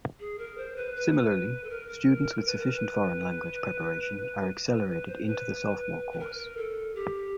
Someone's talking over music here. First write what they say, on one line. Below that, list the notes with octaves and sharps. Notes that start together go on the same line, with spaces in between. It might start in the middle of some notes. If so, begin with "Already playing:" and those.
Similarly, students with sufficient foreign language preparation are accelerated into the sophomore course.
G#4
A#4
C5
B4
B4
A4
A#4
B4
A#4
B4
B4
B4
C5
B4
B4
A#4
A4
G4